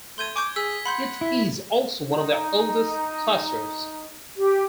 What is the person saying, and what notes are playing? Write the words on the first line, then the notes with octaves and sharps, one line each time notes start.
It is also one of the oldest clusters.
A3 C6 G6 G#6 D#7 G7
G#5 C#6 D6 G6
G#4 E6 B6
F#5 B5 C6 G6
E4
D#4
G4